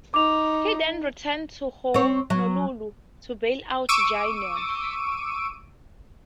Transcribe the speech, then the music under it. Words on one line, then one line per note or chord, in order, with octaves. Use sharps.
He then returned to Honolulu, to bail out Janion.
D#4 D6 F7
C4 C#5
F#3
C#6 D6 E6 D7 D#7